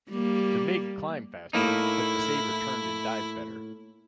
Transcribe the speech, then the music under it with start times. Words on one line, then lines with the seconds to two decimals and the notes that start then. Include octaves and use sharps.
The MiG climbed faster, but the Sabre turned and dived better.
0.10 G3 A#3
1.53 A2 A#3 D#4 E4